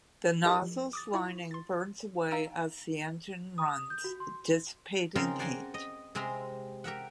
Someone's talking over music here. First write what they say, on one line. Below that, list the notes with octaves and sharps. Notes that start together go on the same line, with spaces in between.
The nozzle's lining burns away as the engine runs, dissipating heat.
E4 G4 A4 A#4 D#5
F3
D6 D#6 A6
E4 F4 C#6
C6 A6
D#4 F5 A#5 E6 D7 E7
D#6
G6
F#4
C6
C#3 C4 D#4 F4 A#4 C6
C5 D5 F#5 G#5 A#5 C6
D#5
C3 G#3 C4 E5 A#5 C6
G4 A#4 E5 F#5